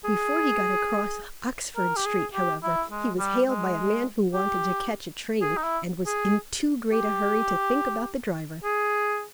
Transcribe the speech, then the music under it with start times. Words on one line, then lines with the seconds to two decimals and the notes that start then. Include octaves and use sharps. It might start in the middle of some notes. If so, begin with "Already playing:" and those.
Before he got across Oxford Street, however, he was hailed by a man who wanted to catch a train, and was in too great a hurry to think about the driver.
0.05 G#4
1.76 A#4
1.96 G4
2.06 G#4
2.34 G4
2.63 E4
2.91 G#3
3.19 G3
3.48 G#3
4.34 G4
5.41 G#4
5.57 D#4
5.63 E4
6.06 G#4
6.92 G4
8.64 G#4